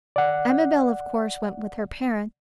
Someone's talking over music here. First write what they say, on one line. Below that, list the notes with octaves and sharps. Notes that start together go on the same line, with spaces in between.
Amabel, of course, went with her parents.
D5 F#5